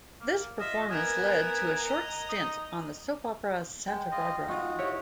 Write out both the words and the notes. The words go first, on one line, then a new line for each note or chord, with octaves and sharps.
This performance led to a short stint on the soap opera "Santa Barbara".
A#3
F4 D#5 E5
B3 A#4 E5 G#5
D#5 A#5
D#4 D#6
G#3 G5
F4 D#5
D#4 F4 F#4
E4 G4 C#5